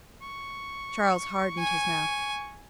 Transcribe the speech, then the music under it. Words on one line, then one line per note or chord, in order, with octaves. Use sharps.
Charles hardened his mouth.
C#6
G#5